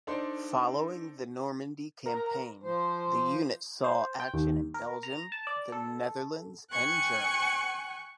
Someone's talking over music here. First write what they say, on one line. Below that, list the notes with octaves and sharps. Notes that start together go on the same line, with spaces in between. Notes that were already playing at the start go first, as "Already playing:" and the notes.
Following the Normandy campaign the unit saw action in Belgium, the Netherlands and Germany.
D4 D#4 A4 C5 D5 C6
A#4
F3 C5
C5
G5
D#2
A#4
A#5
A5
D5
A4
G5 G#5 C#6 F#6